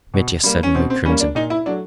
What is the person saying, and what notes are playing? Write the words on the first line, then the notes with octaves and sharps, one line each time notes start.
Mitya suddenly crimsoned.
B2
G3 A#3
C#4
B2 C4
C4
G3 A#3 C#4
D4
A#2 D#4
E4
F#3 A3 D4